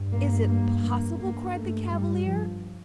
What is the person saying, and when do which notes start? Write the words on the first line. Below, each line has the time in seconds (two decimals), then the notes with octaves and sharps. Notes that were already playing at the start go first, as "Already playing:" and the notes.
"Is it possible?" cried the Cavalier.
Already playing: G2
0.13 A#3
0.48 A#3
0.84 A#3
1.19 G2 A#3
1.55 A3
1.91 G3
2.26 F3